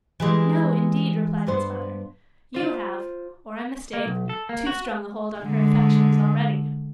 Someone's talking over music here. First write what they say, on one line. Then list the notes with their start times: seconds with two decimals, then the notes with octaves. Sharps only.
'No, indeed,' replied his mother; 'you have, or I mistake, too strong a hold on her affections already.
0.20 E3 G3 G#3
1.47 G2 B3 C5
2.54 F4 C5
3.93 A#3
4.06 B1
4.29 A4
4.49 A#3
4.67 F#4
5.41 D3 G#3